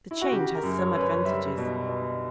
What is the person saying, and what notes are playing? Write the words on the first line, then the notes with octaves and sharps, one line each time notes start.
The change has some advantages.
E4
F#4
C#3 G4
A#4
F#2
C#5
F#2 B4
C#5
G3 E5
B2
B2